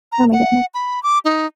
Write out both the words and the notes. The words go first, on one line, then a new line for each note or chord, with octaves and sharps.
Oh my god.
A#5
F#5
B5
D6
D#4